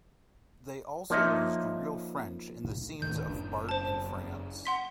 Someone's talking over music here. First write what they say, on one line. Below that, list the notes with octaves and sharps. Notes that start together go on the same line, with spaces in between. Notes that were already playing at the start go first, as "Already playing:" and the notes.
They also used real French in the scenes of Bart in France.
F3 A#3 D#4 C#5 D#5 E5
D1 A2 D#3 G6
F#1 D4
C5 A5
F#5 C6 B6